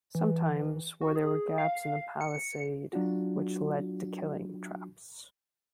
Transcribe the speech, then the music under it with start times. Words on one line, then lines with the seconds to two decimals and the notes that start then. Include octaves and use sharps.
Sometimes there were gaps in the palisade, which led to killing traps.
0.15 E3
1.01 F#4
1.16 G#4
1.58 F5
2.21 C#7
2.93 F#3 D4 F4 F#4